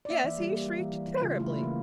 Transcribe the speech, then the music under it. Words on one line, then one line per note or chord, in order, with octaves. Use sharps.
Yes, he shrieked terribly!
D5
A#3 E5
E3
G3
A#3
G3
E3
E3
E3
C#3 F4
A3 E4
C#3
E3 A#3